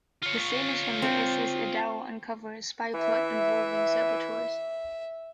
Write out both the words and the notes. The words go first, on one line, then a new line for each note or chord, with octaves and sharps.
The sailors from the S. S. Idaho uncover a spy plot involving saboteurs.
F4 C#5
C4
E3 E5